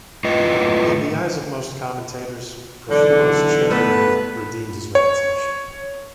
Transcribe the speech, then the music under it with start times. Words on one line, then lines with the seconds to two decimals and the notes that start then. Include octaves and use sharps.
In the eyes of most commentators, Profumo's charity work redeemed his reputation.
0.25 A2 F4 B4 D#5
2.90 B1 D3 E3 A4
3.71 A3 B3 B4
4.95 C#5